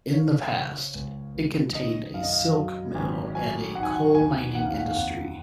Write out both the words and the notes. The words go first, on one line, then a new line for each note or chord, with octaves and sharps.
In the past, it contained a silk mill and a coal mining industry.
F3 C#5
C#3
C#2
C#2
D#3 D#5
F#2 F5
D#5
F5
F#3
G#1 G#5
F#3 G#5
D#3 F#5
G#5
F#5
D#2 G#5
D#2 F#5
F5
F#5
F5
F2 F#5